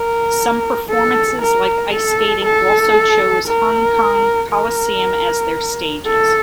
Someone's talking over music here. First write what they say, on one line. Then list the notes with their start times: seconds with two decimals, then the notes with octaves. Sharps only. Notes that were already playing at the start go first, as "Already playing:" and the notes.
Some performances like ice-skating also choose Hong Kong Coliseum as their stages.
Already playing: A#4
0.89 A4
1.42 A#4
1.94 A4
2.45 A4
3.48 A#4
4.51 A#4
6.06 A4